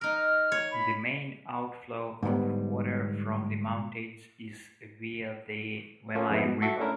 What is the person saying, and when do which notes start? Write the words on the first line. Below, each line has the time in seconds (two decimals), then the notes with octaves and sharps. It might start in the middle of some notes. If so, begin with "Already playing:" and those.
The main outflow of water from the mountains is via the Wami River.
0.01 D#4 A#4 F6
0.52 C#5
0.72 B5
2.23 G#2 D3 G3 B3
6.15 A#3 C#4 F4 A4
6.29 F2 G#2 G#3 B3 E4
6.44 B2
6.62 F#4 A4 E5 F#5
6.79 A3 C#4 D4 E4 A#4